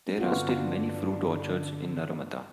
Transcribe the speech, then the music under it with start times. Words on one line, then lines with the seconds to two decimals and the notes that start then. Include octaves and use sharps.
There are still many fruit orchards in Naramata.
0.18 G2 D3 B3 D4 F4 F#4